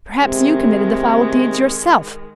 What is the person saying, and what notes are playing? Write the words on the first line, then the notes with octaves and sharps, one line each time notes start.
"Perhaps you committed the foul deeds yourself."
C3 D#3 G#3